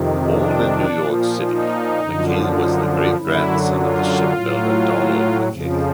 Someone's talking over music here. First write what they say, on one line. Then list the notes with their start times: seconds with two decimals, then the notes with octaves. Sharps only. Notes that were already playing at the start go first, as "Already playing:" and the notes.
Born in New York City, McKay was the great-grandson of the shipbuilder Donald McKay.
Already playing: F2 C3 D#3
0.27 D4
0.86 A#2 F3
1.43 D#4
2.01 F#2 D3 F3
2.60 D#4
2.88 D4
3.17 F#2 D3 F#3 E4
3.75 F4
4.34 A2 F#3
5.49 F2 C#3 F3